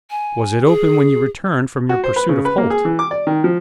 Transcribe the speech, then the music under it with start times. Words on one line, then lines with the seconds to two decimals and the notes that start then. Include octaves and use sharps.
'Was it open when you returned from your pursuit of Holt?'
0.11 G#5
0.65 G#4
1.89 F#4
2.04 C5
2.16 B4
2.29 C#3
2.45 B4
2.58 A#3
2.70 G#4
2.85 E3
2.99 D6
3.11 D5
3.27 D#3
3.44 F3